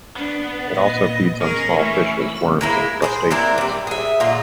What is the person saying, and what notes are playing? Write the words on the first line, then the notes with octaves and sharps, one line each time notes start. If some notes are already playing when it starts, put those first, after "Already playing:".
It also feeds on small fishes, worms, and crustaceans.
B3 D4
A#2 D#5
C#4 G#4 A#4
E3 A3
G#3 A#3 E4
G#4 A4 C5
C4 D4 E4 A#4
E3 G3
G#4 E5
A#2 D3 F4 D#5